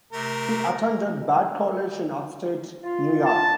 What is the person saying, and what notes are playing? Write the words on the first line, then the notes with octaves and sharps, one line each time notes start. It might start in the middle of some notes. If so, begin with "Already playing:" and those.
He attended Bard College in upstate New York.
C3 A3 A#4
F4
A5